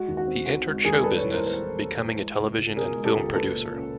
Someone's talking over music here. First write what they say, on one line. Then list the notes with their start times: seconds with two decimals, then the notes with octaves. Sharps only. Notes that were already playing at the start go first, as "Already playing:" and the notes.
He entered show business, becoming a television and film producer.
Already playing: G#3 F#4
0.08 D#2
0.17 F#4
0.27 C4
0.46 D#3 F#4
0.66 G#3
0.84 D#2 G#4 A#4
1.04 G3 A4 B4
1.18 A2 B4 C#5
1.32 A#4 C5
1.43 B3 A#4 C5
1.62 E3
1.81 G3
2.00 A2
2.19 G#3
2.38 C#2
2.58 C#2
2.77 B2 G#4 A#4
2.96 G#3
3.05 G4 A4
3.15 C#2
3.34 A#3 A4 B4
3.53 A#2
3.72 C#4